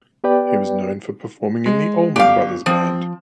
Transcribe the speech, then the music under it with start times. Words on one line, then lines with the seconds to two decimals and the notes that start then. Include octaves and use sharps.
He was known for performing in the Allman Brothers Band.
0.24 B3 G4 B4 D5 G5
1.66 G#3
2.16 G1 G4 F5
2.66 F3 C4